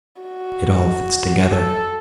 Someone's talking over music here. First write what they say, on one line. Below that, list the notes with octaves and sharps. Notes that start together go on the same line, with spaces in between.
It all fits together.
F#4
A4